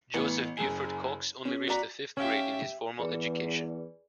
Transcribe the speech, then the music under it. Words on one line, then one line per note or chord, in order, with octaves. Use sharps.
Joseph Buford Cox only reached the fifth grade in his formal education.
A1 E3 B3 C#7
F#1 F#2 G#4 G#5
C#4 G#4
F#4 D5 A#5 B6
C#4 G4 E5 F5
E2 G#4 B4 D5